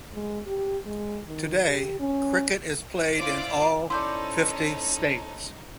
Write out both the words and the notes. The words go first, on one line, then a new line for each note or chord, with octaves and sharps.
Today cricket is played in all fifty states.
G#3
G4
G#3
D#3
G4
C#4
E4 F4 C5 D5 F5
C#4 D#4 E4 A4 C5 D5 C6